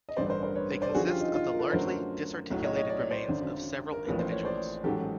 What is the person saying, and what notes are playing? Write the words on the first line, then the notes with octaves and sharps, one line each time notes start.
They consist of the largely disarticulated remains of several individuals.
D#5
A1 G2 D3 C5 D5
B4
A#4 C5
A#4 C5
B4 C#5
C5 D5
A4
F#2 D3 F3 F#4 G#4
F4 G4
D#4
D#4 F4
A#4
A4 B4
F#2 D3 F#3 A3 A#4 C5
B1 A2 F#3
C#5 D#5
C#5 D#5
D5
C#5
C5 D5
G#1 F#2 D3
A#4
A1 A2 F3 A#3 B4
C5
C#5
C5 D5
A1 G#2 D#3 F#3 G4 A4